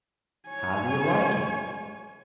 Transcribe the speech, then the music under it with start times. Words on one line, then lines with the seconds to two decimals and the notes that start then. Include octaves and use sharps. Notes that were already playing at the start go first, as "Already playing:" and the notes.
How do you like it?
0.48 C#5 G#5